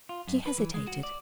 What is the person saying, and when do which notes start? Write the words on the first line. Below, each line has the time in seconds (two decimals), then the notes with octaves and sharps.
She hesitated.
0.09 F4
0.28 F#2
0.46 B4
0.58 E3
0.74 G#3
0.87 F#4
1.03 D5